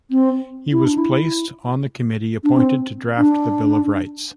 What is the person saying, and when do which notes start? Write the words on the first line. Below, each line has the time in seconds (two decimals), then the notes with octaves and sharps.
He was placed on the committee appointed to draft the Bill of Rights.
0.11 C4
0.72 E4
0.85 D4
0.98 E4
2.44 D4
2.56 C4
3.18 D4